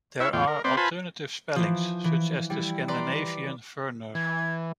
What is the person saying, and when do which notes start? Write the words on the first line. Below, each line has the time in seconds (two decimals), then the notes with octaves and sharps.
There are alternate spellings, such as the Scandinavian "Verner".
0.20 E4 C#5 E5
0.33 E2 A2 F4 G5
0.48 A#4
0.64 C4 B4 C5 D5
0.77 F4 B4 C5 G#5 A5 B5
1.56 E3 F3
2.04 E3
2.50 G3 E4
2.88 B4 D5 A#5 C6 D6
4.15 E3 G#6